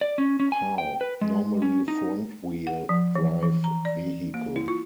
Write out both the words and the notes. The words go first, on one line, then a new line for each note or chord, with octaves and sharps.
How: Normally front-wheel drive vehicle.
D5
C#4
C#4
G#5
G5
B4
G#3
C#4
D#4
F#5
F3
E3
E3
A#5
D5
A#3
E4
F4